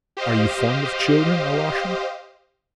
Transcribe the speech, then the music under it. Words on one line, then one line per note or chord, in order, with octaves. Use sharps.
Are you fond of children, Alyosha?
G4 C5 D#5 F5